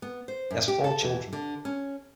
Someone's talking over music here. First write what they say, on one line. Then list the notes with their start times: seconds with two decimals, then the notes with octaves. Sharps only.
He has four children.
0.02 B3
0.28 C5
0.51 F#2
0.68 G4
0.84 A4
1.02 E2
1.33 D3
1.65 C#4